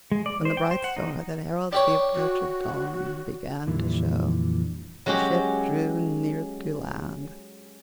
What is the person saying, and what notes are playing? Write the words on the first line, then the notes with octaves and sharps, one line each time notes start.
When the bright star that heralds the approach of dawn began to show, the ship drew near to land.
G#3
D5
C5
G5
C5
F#5
D#4
D4 G4 C#5 G5
F#4
F2 A#2 D3 E3 G3
F#3 G#3 C#4 F#4 G4